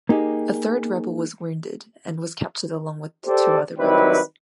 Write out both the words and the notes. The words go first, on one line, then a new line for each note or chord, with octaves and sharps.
A third rebel was wounded and was captured along with two other rebels.
A#3 D#4 G4 G#4
G4 A4 C5 D5
D#3 F#3 G3 C4 E4 B4